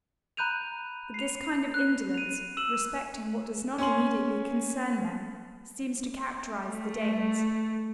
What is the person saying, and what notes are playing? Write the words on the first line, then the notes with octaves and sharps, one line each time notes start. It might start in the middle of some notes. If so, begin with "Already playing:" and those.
But this kind of indolence respecting what does not immediately concern them seems to characterise the Danes.
A#5 B5 F#6 G6 D#7 F7
C7 F7
F#6
D#7 F7
E6 E7 F#7
C#4 G#5 C6 F#7
A3